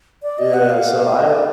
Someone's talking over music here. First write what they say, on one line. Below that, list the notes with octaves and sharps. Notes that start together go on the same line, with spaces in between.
yeah, so, I, w
D5
D#5
F#5
F5
D#5
D5